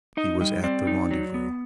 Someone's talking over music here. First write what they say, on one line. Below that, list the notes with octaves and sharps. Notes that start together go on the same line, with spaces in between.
He was at the rendezvous.
D#4 D#5
G3 D#5
C4 D5
D#4
F#3
B3